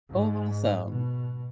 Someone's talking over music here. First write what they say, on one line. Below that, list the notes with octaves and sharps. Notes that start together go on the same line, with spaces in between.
Oh, awesome.
G#2
B2